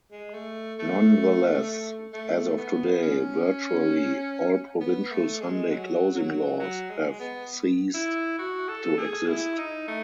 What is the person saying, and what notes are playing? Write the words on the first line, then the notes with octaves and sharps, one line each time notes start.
Nonetheless, as of today, virtually all provincial Sunday Closing laws have ceased to exist.
G#3
A3
A3
A3
B3
C#4
B3
A3
G#3
F#3
F#3
F#3
G#3
B3
E4
F#4
A4
G#4
E4
D#4
A3